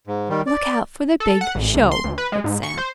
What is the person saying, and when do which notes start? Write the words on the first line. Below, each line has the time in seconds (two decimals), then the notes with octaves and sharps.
"Look out for the big show," read Sam.
0.07 G#2
0.29 D#3 G3
0.47 D5
1.20 A4
1.41 F#5
1.55 A1
1.74 C#2
1.91 C6
2.04 D2
2.18 B4
2.32 G#3
2.44 G#2
2.63 C#6
2.78 C5